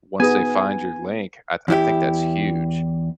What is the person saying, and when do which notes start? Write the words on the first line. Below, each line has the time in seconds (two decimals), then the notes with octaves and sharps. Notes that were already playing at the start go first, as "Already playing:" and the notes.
once they find your link, I th I think that's huge.
0.20 B3 D#4 G#4 B4 G#5
1.68 E2 E4 G4